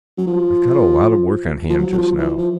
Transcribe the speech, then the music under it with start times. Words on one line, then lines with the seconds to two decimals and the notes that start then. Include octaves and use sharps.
I've got a lot of work on hand just now.
0.18 F#3
0.27 F3
1.70 F3
1.78 F#3
1.92 F#3
1.98 F3
2.18 E3
2.38 F3